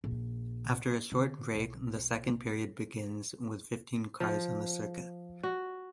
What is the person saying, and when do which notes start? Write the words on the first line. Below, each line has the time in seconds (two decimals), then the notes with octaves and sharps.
After a short break, the second period begins, with fifteen cars on the circuit.
0.04 A#1
1.12 D3
1.54 B1
4.20 F3
5.43 F#4